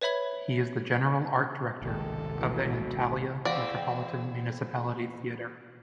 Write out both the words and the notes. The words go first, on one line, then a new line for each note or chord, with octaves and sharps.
He is the general art director of the Antalya Metropolitan Municipality Theatre.
B4 C#5 E5 B5 G#6
G#1 C#2 C3 D#3 G3 G#3 A4
G2 B2 E3 A3
E2 C4 D5 F5 F#5